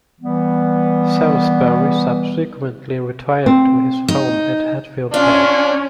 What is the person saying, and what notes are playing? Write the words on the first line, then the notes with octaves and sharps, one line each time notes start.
Salisbury subsequently retired to his home at Hatfield House.
E3 G3 B3
C4
D#4
C#4 D4 F4